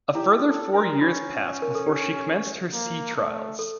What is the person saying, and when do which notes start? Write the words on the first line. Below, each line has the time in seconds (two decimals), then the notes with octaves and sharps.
A further four years passed before she commenced her sea trials.
0.15 E4 G4
0.44 A4
0.72 A#4
1.01 C#4 F4
1.62 A#4
1.75 A4
1.86 G4
2.73 A#3
3.16 A3
3.59 A4